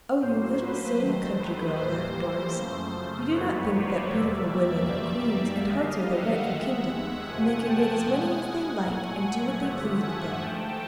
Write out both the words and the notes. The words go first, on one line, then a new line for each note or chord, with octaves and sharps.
"Oh, you little silly country girl," laughed Doris, "you do not think that beautiful women are queens, and hearts are their rightful kingdom, and they can get as many as they like, and do what they please with them."
A2 F#3 A#3 C5
B4
D#2 D#3 F#3 A3 C5
B4
A2 E3 G3 A#3 C5
F#2 C#3 F3 A3
G2 D#3 F#3 A#3 B4 C#5
C5 D5
E2 B2 G3 A#3 D5 E5
F#2 D#3 G3 A#3
F#2 D3 G3 A#3 D#5 F5
E5 F#5
D#2 D#3 G#3 E5 F#5
F2 C3 F3 A3 F#5 G#5
G5 A5
B2 G#3 F#5 G#5
A#2 F#3 A3
G2 D3 F3 A3 E5 F#5
F#5 G#5
G#2 F3 A3 G5 A5